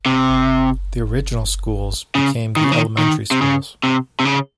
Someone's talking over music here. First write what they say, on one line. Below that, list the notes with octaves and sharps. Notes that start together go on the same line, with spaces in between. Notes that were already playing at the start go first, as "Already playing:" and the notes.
The original schools became the elementary schools.
C3
C#3
D#3
C#3
D#3
D#3
C3
C#3
C3
C3
C#3